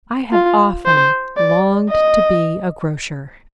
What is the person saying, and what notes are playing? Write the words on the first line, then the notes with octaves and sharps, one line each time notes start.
I have often longed to be a grocer.
F4
C5
D5
D#5